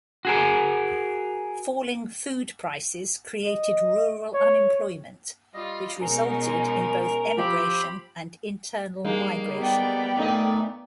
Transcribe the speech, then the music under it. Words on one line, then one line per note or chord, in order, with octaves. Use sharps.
Falling food prices created rural unemployment, which resulted in both emigration and internal migration.
F#4 G#4 A#4
D#5
C#5
G3 F4 D#5
B2 G#3 C#4 D#4 A#4
F3 C4 G4 C5 B5
G3 G#3 A#3 D#4
B3 D5 G5
A#2 A3 D#4 D#5